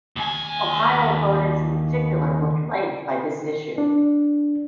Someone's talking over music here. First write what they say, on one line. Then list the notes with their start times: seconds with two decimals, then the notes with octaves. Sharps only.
Ohio voters, in particular, were plagued by this issue.
0.16 D#2 G#5
3.78 D4